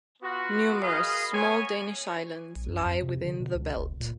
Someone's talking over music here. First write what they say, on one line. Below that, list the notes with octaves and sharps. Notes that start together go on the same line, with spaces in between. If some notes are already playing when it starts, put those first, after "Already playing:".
Numerous small Danish islands lie within the belt.
B3 F4 F#4
G#4 A#4 B4 D#5 F5
B3 C#5 G#5
A#1
F#2
F2
C3
D3
B2
C#2
F1
A#2